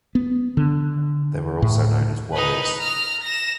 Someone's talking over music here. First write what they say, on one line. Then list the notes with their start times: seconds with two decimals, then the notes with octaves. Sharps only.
They were also known as warriors.
0.15 B3
0.57 D3
1.62 A2
2.34 D#4 B4
2.79 A#5 F6
3.23 A#6 E7